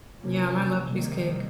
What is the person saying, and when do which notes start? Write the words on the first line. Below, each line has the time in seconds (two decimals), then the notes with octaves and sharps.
Yum, I love cheesecake.
0.21 C3 F3 A#3 C#4
0.90 C3 D#3 G3 A#3